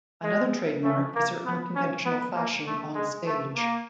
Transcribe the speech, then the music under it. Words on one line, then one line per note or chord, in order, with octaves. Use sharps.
Another trademark is her unconventional fashion on stage.
G#3
A3
A#3
B3
C#4
B3
A#3
A3
G#3
A3
A#3